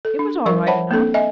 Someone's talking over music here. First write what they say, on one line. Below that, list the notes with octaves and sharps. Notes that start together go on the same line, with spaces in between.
It was all right enough.'
A4
D4
F3 G3 A#4 F5 C#6
C5 C#5 E5 F#5 A5 B5
A#3 C4 D4 A4
D#5 E5 G#5